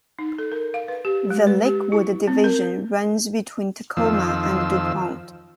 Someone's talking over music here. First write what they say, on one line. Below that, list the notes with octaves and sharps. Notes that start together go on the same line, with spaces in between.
The Lakewood division runs between Tacoma and DuPont.
D#4
A4
A#4
F5
B4
G4
G#3
B4
G4
E4
C4
A#4
F2 D#3 F3 C5 E6